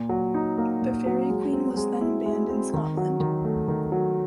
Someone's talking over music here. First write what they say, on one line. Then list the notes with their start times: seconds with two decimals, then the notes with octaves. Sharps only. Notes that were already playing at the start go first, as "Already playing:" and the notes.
"The Faerie Queene" was then banned in Scotland.
Already playing: A#2
0.09 F#3
0.34 D#4
0.58 A#3
0.82 A#2
1.06 F#3
1.30 G#3
1.53 C4
1.77 G#3
2.01 E4
2.26 G#3
2.50 C4
2.74 D#3
2.97 F#3
3.20 D#3
3.44 A3
3.68 D#3
3.92 F#3